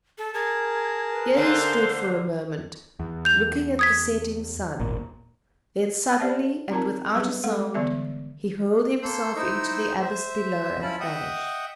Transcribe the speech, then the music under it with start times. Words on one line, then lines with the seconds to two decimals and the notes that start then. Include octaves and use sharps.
Here he stood for a moment looking at the setting sun, then suddenly, and without a sound, he hurled himself into the abyss below and vanished.
0.18 A4
0.34 G#4 A#4 A5 G#6
1.12 B4
1.35 D3 A#3 C5
2.99 E2
3.25 G6 F7
3.79 D#6 G#6 B6
4.79 D#1 G#1 A#2
6.20 G4 C5 D5 E5 F#5 A5
6.71 C4 D#4 F4 A#4 A5 A#5
7.15 F#3 G3 B3 G4 G#4 B4
7.44 G#3 A4 F5 F#5
7.74 D3 E3 G3 B3 D5 E5
9.02 A#3 A4 C6 E6 G6
9.36 D#4 E4 C5 D#5 C#6 E6
10.00 C5 E5
10.82 C#4 E4 F4 A5 B5
11.00 D#5 E5 F#5 G5 D#6